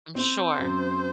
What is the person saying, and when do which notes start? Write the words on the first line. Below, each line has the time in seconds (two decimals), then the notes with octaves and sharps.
I'm sure.
0.15 C4 C5
0.59 F#2